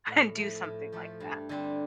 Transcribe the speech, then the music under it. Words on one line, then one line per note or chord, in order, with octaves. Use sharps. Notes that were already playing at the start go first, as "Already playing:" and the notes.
and do something like that.
A2
F3 A3
A2
F3 A3
G2
D3 G3 C4